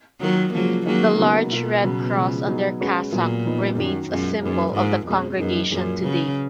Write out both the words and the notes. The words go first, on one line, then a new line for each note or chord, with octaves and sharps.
The large, red cross on their cassock remains a symbol of the Congregation today.
D#3 F#3 A#3 F4 A#4
C#3 F3 F#3 G#3 A#3
D#3 F#3 G#3 A#3 C#4
C#3 F#3 B3 D#4 F#4 A#4
B2 A#3 F4 A#4
C#3 F#3 B3
C#3 F3 G#3
F#3 B3 D#4 G#4
G#3 C#4 F#4 B4
A#2 F#3 B3 F4 G#4 B4
F3 B3 D#4
F#2 D#3 F#3 C#4
F#2 B2 G#3 C#4 F4
F#2 A#3 D#4 G#4 B4
G#2 F3 A#3 F4 A#4
F2 B2 G#3 C#4
F#2 A#3 D#4 G#4 B4
F#2 A#2 F3 A#3 C#4 G#4
C#3 F#3 C#4 G#4 B4